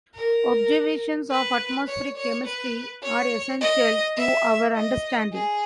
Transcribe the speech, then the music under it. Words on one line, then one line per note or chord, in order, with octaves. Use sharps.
Observations of atmospheric chemistry are essential to our understanding.
A#4
B4
C#5
C#5
B4
C#5
D#5
E5
D#5
G#4